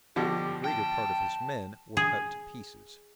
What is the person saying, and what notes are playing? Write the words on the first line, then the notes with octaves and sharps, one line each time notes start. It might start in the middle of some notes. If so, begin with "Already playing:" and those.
The greater part of his men were cut to pieces.
B2 D3 F3 G4
G5 A5
G#4